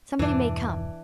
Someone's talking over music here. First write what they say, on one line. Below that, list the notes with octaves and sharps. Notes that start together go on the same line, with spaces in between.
Somebody may come.
E2 G2 B2 E3 D4